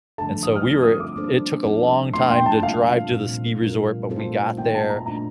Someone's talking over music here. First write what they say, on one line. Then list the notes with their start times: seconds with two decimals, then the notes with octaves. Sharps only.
and so, we were it took a long time to drive to the ski resort, but we got there,
0.18 D3 F3 A3 D4 A4 A5
0.43 D#6
0.56 F6
0.68 G3 C4 F4
0.83 D#6
1.00 D6
1.16 G3 A#3 D4 A4 C5
1.65 F3 C4 D#4 A4
2.13 A3 D4 F4 C6
2.30 G5
2.46 A5
2.62 C3 G3 A#3 F4 A4 F5
3.11 A#2 G3 C4
3.61 G3 C4 F4 A#4
4.09 A3 C4 F4 A4 C5
4.57 D#3 A#3 D#4 G5
4.74 A5
4.90 A#5
5.06 A#2 A3 D4 F4 A#5